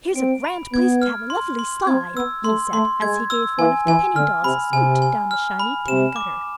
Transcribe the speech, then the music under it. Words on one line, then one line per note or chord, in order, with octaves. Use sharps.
"Here's a grand place to have a lovely slide!" he said as he gave one of the penny dolls a scoot down the shiny tin gutter.
C4 D7
B5
B3 G#6
F6
C6
C6
C4 G#6
B3 E6
A3 C6
A3 C6
G#3 G#6
E6
E3 G#5
E3 G#5
D3 F6
C3 B5
C3 G#5
G#5
F6
B5
C3 E7
D6